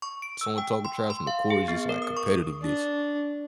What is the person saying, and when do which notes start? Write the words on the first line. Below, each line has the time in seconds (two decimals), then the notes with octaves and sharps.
someone talking trash on the court is just, like, competitiveness.
0.02 C#6
0.22 D7
0.41 E6
0.58 G5
0.85 C6
1.10 C6
1.27 F5
1.50 G#4
1.68 B3
1.89 A#4
2.02 D#6
2.17 C#6
2.62 D4